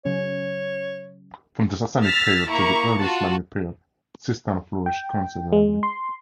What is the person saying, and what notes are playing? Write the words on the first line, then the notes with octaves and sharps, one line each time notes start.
From the Sassanid period till the early Islamic period, Sistan flourished considerably.
C#3 F#3 C#4 C#5
E6 F6 A6 B6
A#3 E4 A#5 C#6
F4 F#4 A5
G5
G#3
C6